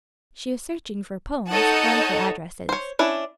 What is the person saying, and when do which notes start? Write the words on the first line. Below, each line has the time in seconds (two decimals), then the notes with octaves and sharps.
She was searching for poems and for addresses.
1.50 D#4 A4 C#5 D#5 F#5 A5
2.69 C5 C#5
2.99 C#4 D4 E4